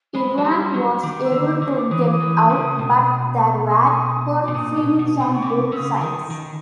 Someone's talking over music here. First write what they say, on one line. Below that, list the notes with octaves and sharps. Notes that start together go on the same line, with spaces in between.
Irvan was able to get out, but there were hurt feelings on both sides.
G#3 B5
F#3
G3 C6
F#3 C#6
D#3 D6
E6
D3
D6
D#3
D6
E3 D#6
D6
D#6
E3
C#3
B2
E6
D#6
D6
B2
A#2 D#6
B2
B2
C3
C#6
C3 D6
C#3 D#6 E6
D#3 D#6
D#3